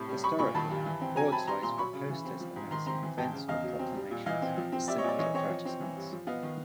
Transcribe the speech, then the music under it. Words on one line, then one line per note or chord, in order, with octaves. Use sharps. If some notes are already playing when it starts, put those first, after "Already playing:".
Historically, broadsides were posters, announcing events or proclamations, or simply advertisements.
Already playing: A2 C3 A5 B5
G3
G3 B5 C#6
A#2 B5 C#6
D#3 A5 B5
G2
E3
C4
F#3 G#5 A#5
C4 A5 B5
G3 A#5 C6
A#2 A#5 C6
F#3 B5 C#6
C#3
E3
C4
F3
G#2
D#3 A#5 C6
C4 A#5 C6
E3
G#2 G5 A5
C#3
E2 D#5 F5
F#3
C4
G3
A#2
E3 D#5 F5
C4
F3
C4
G3 D5 E5
C#5 D#5
A#2 D5
E3 C#5 D#5
C4 C#5 D#5
F3
C4
E3
G2
F3
B3 D#5 F5
D#3